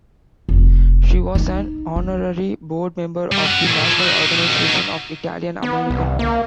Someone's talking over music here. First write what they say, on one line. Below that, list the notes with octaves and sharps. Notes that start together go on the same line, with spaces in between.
She was an honorary board member of the National Organization of Italian American Women.
F1
D#4
D4
G3
C#4 F#5
A#2 A3
F3 E4
D#4 F#4
B3
C2
A#3